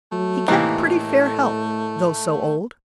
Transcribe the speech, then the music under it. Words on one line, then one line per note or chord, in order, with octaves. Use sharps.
He kept pretty fair health, though so old.
F#3 A3
A2 C3 D#3 E3 A#3